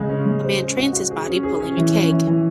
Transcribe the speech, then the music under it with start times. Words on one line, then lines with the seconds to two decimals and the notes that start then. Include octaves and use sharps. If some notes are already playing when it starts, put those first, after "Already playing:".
A man trains his body pulling a keg.
Already playing: C#3 G#3
0.09 C#4
0.26 G#3
0.43 C5
0.59 C#4
0.77 F#4
0.93 F#4
1.10 G#4
1.26 C#4
1.43 G#4
1.60 C#4
1.77 E3
1.94 C#4
2.10 E3
2.27 E3